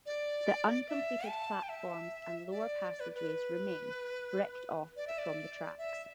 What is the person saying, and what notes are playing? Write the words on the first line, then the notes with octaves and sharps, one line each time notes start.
The uncompleted platforms and lower passageways remain, bricked off from the tracks.
D5
E5
A5
G5
E5
D5
D5
B4
B4
D5
E5
D5
E5